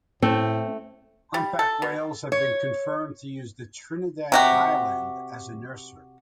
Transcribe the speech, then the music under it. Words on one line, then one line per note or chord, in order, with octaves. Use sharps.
Humpback whales have been confirmed to use the Trindade island as a nursery.
A2 A3 C4
G3
A4
B2
C#5
C3 F#4 G4